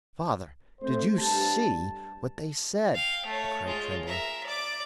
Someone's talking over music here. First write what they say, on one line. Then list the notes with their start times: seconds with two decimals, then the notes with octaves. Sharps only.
"Father, did you see what they said?" he cried, trembling.
0.81 A3 C4 C5
1.19 G2 G4 A5
2.95 F5 G5
3.26 A3 C#5
3.65 G#3 F4
4.06 A#4 E5
4.46 D5 D6